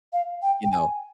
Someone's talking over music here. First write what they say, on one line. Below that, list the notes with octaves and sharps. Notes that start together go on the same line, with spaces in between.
you know,
F5
G5
G5
G#5